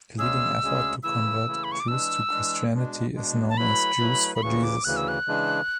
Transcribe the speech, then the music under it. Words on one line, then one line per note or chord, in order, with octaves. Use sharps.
A leading effort to convert Jews to Christianity is known as Jews for Jesus.
D2 C#3 G#3 C#4 G#4 E6
D2 C#3 G#3 C#4 G#4
C#3 E3 A3 E4 E6
C#3 E3 A3 E4
B5
C#6
D6
E3 G#3 D4 E6
E3 G#3 D4
B2 G#3 D4
B2 G#3 D4
A5
F#3 A3 E4 B4 B5
F#3 A3 E4 B4
B5
D2 C#3 E3 C#6
D6
D2 C#3 E3 F#6
E6
F#6
C#3 E3 G#3 D4